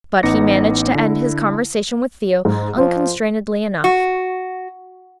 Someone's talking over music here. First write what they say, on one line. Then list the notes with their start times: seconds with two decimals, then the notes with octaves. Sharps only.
But he managed to end his conversation with Theo unconstrainedly enough.
0.23 A1 B3 D#4 D6 A#6 C#7
0.95 D3 E4
2.45 G#2
2.78 F3 C5
3.84 F#4